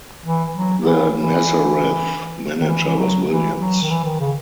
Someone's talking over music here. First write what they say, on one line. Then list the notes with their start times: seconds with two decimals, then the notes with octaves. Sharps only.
The Nazareth manager was Williams.
0.25 E3
0.55 F#3
0.86 E3
1.16 E3
2.61 D#3
2.68 E3
2.87 E3
2.98 F#3
3.29 E3
3.59 F#3
3.82 D#3
3.90 E3
4.05 D#3
4.20 C#3